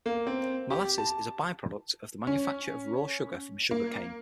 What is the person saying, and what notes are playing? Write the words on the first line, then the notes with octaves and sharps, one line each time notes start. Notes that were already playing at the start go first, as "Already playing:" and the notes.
Molasses is a by-product of the manufacture of raw sugar from sugar cane.
A#3
C4
G4
A5
C#4
A#3